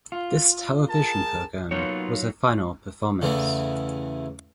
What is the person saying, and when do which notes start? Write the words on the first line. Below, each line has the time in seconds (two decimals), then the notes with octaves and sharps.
This television program was her final performance.
0.12 F4
0.90 G#4 A#4 A5
1.71 F#3 A#3 B3 D#4 F4 C#5
3.22 E2 C#3 E3 A3